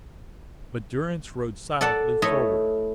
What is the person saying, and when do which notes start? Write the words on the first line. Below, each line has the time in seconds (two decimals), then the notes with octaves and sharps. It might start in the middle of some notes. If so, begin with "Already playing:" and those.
But Durrance rode silently forward.
1.81 A4 D5 F#5 A5
2.22 A3 E4 C#5 D#5